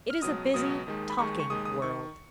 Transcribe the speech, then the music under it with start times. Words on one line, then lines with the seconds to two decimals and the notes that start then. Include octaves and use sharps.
It is a busy, talking world.
0.10 F6
0.22 C#2 B2 F#3 D#6
0.54 C#2 B2 F#3 D#6
0.87 D#2 D#3 G#3
1.10 B5
1.18 D#2 D#3 G#3 C#6
1.40 C#6
1.50 D#2 D#3 G#3 D#6
1.65 D#6
1.82 D#3 C#6